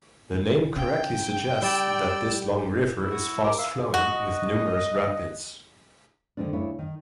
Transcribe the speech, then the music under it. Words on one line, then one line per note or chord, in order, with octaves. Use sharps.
The name correctly suggests that this long river is fast flowing, with numerous rapids.
C#3 G5
G3 D5 E6
E4
F#4
A#4 D6
E5 F5
F#4 D#5
D3 D#3 G#3 C4 D4
D2 C#3 D4 E4 C#5
D#3